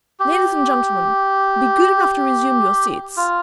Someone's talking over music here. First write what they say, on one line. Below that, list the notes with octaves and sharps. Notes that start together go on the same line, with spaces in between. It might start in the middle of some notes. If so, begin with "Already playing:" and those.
Ladies and gentlemen, be good enough to resume your seats.
G4
F4